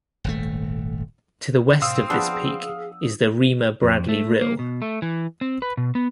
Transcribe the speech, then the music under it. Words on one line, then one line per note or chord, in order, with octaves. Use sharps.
To the west of this peak is the Rima Bradley rille.
D#1 G#1 A3
A2 C3 C4 F5 D#6 E6
F3 B3 D4 G#4
F2
A3
A#3
B2
A3
E3
C4
B4
B2
B3